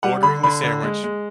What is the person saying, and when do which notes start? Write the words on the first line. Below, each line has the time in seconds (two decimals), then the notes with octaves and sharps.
ordering the sandwich,
0.03 G3 F#5
0.23 D3 B5
0.43 D3 B5
0.63 D3
0.83 G#3
1.03 G#3